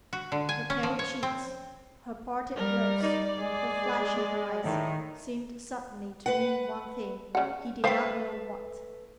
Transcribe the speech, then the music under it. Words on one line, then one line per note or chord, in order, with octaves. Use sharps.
Her pale cheeks, her parted lips, her flashing eyes, seemed suddenly to mean one thing--he did not know what.
F#4
D3
G#5
C#4
F3
C#5
C4
G3 A#4
D#4 D5
G#3 G#4
A2 D#3
B4 F#5
C#3 F#5
A3 B4 C5 F5 G5